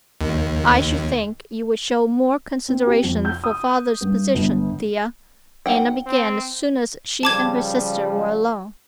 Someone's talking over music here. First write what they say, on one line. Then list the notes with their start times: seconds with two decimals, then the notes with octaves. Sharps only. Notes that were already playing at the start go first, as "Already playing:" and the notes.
"I should think you would show more consideration for father's position, Thea," Anna began as soon as she and her sister were alone.
0.21 D#2
2.68 C4
2.87 G4
3.03 F2
3.25 G6
3.44 D#6
4.01 G2
4.35 G1
5.66 B1 F#5 G5
6.06 C4
7.23 C#3 F3 G3 A5 D6 G#6